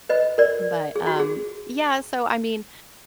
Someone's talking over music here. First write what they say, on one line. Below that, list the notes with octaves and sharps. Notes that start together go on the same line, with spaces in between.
But, um, yeah, so, I mean,
B4 D#5
A#4 D5
G#4
F#4
G#4